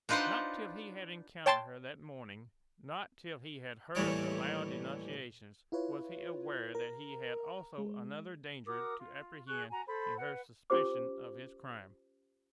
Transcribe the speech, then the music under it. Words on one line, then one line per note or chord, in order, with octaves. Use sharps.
Not till he had encountered her that morning--not till he had heard her loud denunciations--was he aware that he had also another danger to apprehend in her suspicion of his crime.
D4 D#4 F4 B4 C5 F#5
C#5 G5 A5 C6 A6
D#2 A2 E3 G3 C#5 D5
E4 F4 B4 C#5
A#4 A#5
G#3
F#4 A#4 D6 D#6
F4
G#4 C#6 F#6
F#4 G#5 A#5
A4 C5 B5
B4 F#5
C#4 F4 G4 C5 D6